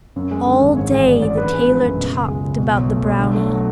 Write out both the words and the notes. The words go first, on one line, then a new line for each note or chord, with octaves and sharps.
All day the tailor talked about the brownie.
F#2
G#3
D3
G#1
G#2 C#5
A1 G#4
G#3 D5
A1 D5
D3 B4
G#3
F3
F#2
B2
C#2
G#3
C#2
B2
B1
A3
B1
D3
A3
F#3